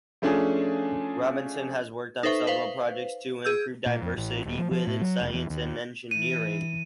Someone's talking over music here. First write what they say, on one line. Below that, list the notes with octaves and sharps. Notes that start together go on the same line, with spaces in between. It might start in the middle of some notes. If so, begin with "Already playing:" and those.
Robinson has worked on several projects to improve diversity within science and engineering.
F3 A3 C#4 D4 G#4
D#4 A4 B4 C5 E5 C#6
B4 C5 F5
G#4 E6 G6
A#2
F2
A1
D#1
F3
F3
A2
F#3
F1
E2
D#2
E3 D#7